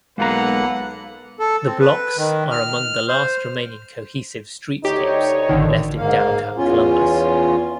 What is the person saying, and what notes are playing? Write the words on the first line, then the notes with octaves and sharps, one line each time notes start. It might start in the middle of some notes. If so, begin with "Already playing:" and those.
The blocks are among the last remaining cohesive streetscapes left in downtown Columbus.
B1 G#3 A#3 F4 A4 B4 F#5 A#5
A4
C4
B4
D#3
F6
C5
D2 D#4 G4 C#5
A1 D3 D#3
G#2 A#3 F5
E2 C#4 F4